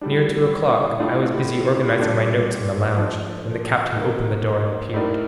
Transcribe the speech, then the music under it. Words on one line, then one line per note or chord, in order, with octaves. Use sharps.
Near two o'clock I was busy organizing my notes in the lounge, when the captain opened the door and appeared.
A2 G3 D4
A2 A3 D4 F4
A#2 G3 D4 A4 D5
F3 A3 D4
D#3 A#3 D#4
A2 A3 D#4 A#4 D5